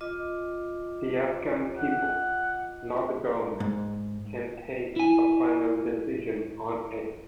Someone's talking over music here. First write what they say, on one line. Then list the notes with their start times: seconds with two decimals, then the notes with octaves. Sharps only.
The Afghan people, not the government, can take a final decision on it.
0.01 F4 D#5 D6
1.78 F#5
3.60 G#2
4.96 E4 G#5